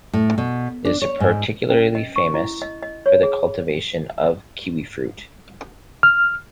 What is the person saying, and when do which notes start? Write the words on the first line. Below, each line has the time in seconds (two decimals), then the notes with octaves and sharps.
It is particularly famous for the cultivation of kiwifruit.
0.13 A2
0.38 B2
0.85 D4
1.02 C#5
1.20 G#2
1.70 C#4
1.95 D#5
2.16 C#6
2.34 E4
2.62 D#5
2.83 D#5
3.06 C#5
3.23 G#4
6.03 F6